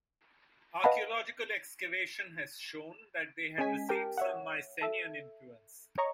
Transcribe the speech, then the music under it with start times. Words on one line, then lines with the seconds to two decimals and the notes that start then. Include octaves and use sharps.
Archaeological excavation has shown that they had received some Mycenaean influence.
0.84 B4 D#5 F5 F#5 A5 B5
3.58 G#3 C#4 D#5 G#5 B6
3.89 G4 A#4 G5 A5
4.17 C#5 E5 F#5
4.81 A4 E5
5.98 C#5 D#5 A#5 C#6